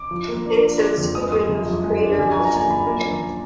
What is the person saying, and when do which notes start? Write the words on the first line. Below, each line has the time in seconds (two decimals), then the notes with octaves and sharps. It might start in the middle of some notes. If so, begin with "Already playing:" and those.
It extends to the rim of the crater Moulton.
Already playing: D6
0.11 F3
0.28 A#3
0.46 D4
0.63 D4
0.81 D4
0.98 F2
1.15 G#3 D#6
1.32 G#3 D#6
1.49 F#2
1.67 F3
1.84 G#3
2.00 D4
2.19 F#2 G#5
2.31 G#5
2.36 F3
2.45 A#5
2.52 A#3 G#5
2.70 F#2 B5
2.87 A#3
3.04 A#3